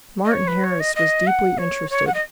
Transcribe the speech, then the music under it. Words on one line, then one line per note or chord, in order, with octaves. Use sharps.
Martin Harris was deeply interested.
D#5
C#5
B4
C#5
D#5
D#5
F#5
C#5
C#5
F#5
D#5